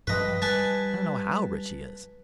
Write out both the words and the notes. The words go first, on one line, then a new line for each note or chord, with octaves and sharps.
I don't know how rich he is!
G2 F3 G3 B4 D#5
G3 B4 G#5 A5